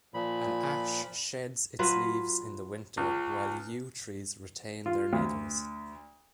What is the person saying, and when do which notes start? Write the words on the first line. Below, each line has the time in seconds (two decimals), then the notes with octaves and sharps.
An ash sheds its leaves in the winter, while yew trees retain their needles.
0.14 A#2 F3 B5
1.79 F#3 F4 B4
2.97 C#2
4.86 F4
5.13 D2